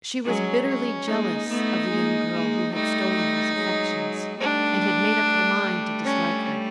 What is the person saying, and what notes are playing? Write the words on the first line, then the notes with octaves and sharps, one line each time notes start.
She was bitterly jealous of the young girl who had stolen his affections, and had made up her mind to dislike her.
F#3 G#3 C#4
C#4
G#3 A#3 D#4
A3 B3
G#3 A#3
G#3 A#3
G3 A3 D#4
F#3 G#3
G3 A3 D4
G3 A3
G3 A3
C#4